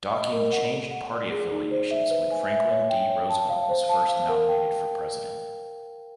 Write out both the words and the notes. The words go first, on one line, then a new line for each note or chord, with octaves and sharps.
Docking changed party affiliations when Franklin D. Roosevelt was first nominated for president.
D#5
A#4
F#5
A4
F#5
D5
G#4
D#4
C5
E5
B4
G#5
E5
C#5
G5
C#5
A5
F5
C5
A5
F5
A#4
G5